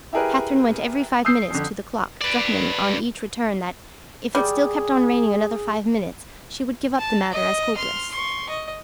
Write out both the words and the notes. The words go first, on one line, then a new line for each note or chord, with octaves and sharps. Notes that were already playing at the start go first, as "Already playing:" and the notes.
Catherine went every five minutes to the clock, threatening on each return that, if it still kept on raining another five minutes, she would give up the matter as hopeless.
E4 G4 G#4 A#4 B4
D#6 E6 G6 C7
F2 D3
B4 D5
G3 G#4
A5
D#5
C6 F6
C6 C#6
D#5